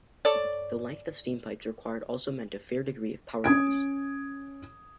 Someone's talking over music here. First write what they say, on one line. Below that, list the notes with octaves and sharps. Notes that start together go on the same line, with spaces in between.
The length of steam pipes required also meant a fair degree of power loss.
A4 C#5 D5
C#4 D#6 G#6 D7